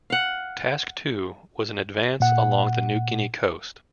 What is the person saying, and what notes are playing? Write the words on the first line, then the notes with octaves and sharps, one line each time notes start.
Task Two was an advance along the New Guinea coast.
F5 F#5
A#2 F#5